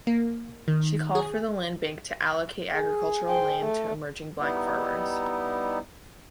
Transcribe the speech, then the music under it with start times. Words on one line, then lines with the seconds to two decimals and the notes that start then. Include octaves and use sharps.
She called for the Land Bank to allocate agricultural land to emerging black farmers.
0.07 A#3
0.68 D#3
1.15 G#4
2.74 G#4
3.29 C5 G5
3.62 A3
4.40 G3 B3 D#4 E4